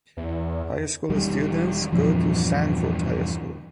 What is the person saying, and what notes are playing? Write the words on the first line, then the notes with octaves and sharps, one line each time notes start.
High school students go to Sanford High School.
E2
E1 D#3 G3
E2 G2 A#2 F3